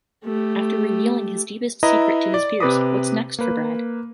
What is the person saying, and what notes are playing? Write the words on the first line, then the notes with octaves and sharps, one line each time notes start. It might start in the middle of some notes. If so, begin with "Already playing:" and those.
After revealing his deepest secret to his peers, what's next for Brad?
A3 G4
E4 B4 D#5 A#5
D5
C3 B4 D6 D#6
A#3 B4